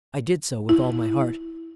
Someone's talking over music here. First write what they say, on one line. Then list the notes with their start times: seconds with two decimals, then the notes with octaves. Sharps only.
I did so with all my heart.
0.69 E4